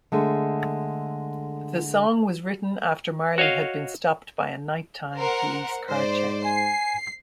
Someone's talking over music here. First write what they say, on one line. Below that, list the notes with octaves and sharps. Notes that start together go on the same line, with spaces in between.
The song was written after Marley had been stopped by a night-time police carcheck.
D3 G#3 A3
F#4 C#5 D#5 F5
A#4 C5 F#5
G#2 C5 D5
G#5 C7